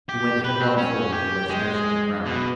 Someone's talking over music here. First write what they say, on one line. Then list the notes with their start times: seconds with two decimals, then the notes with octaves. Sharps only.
He went headlong forward and lay stretched on the ground.
0.09 G4
0.44 B4
0.60 C4
0.78 C#4
1.12 G4
1.49 G#3
2.25 B2